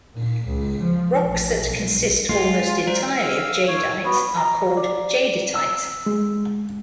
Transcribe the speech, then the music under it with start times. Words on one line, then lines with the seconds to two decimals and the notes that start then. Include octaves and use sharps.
Rocks that consist almost entirely of jadeite are called jadeitite.
0.12 A#2
0.44 C#2
0.79 F3
1.23 A1
1.62 B1
2.29 G#3 F4
2.87 F4 C5 D5
3.18 F5 E6
3.68 C#5
4.04 B3 F#4
4.37 A#5
4.77 D5
5.55 E6
6.06 G#3